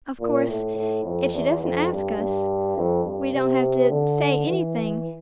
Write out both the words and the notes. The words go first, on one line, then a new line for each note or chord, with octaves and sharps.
Of course, if she doesn't ask us, we don't have to say anything.
A#2
A2
A2
F2
E2
F2
G2
G2
F2
G2
C3
D3
E3